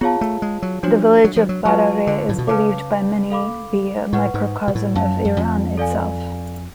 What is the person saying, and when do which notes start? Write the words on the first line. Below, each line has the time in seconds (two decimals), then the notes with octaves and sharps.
The village of Barareh is believed by many be a microcosm of Iran itself.
0.01 B3 F4 G#4 C#5 F5 A5
0.21 A3
0.42 G#3
0.62 F#3
0.83 F3 D4 F#4 C#5
1.24 F#3
1.36 F3
1.49 F#3
1.65 F#3 F4 B4 F5 A5 C#6
2.07 D3
2.29 A2
2.38 B2
2.48 C#3 B4 F5 A5 D6
3.30 A4 F5 B5 D6
4.13 A2 B4 F#5 C#6
4.34 G#2
4.68 B2
4.75 A2
4.95 F#2 C#5 F5 A5
5.25 F#2
5.37 F2
5.77 A4 D5 F5 G#5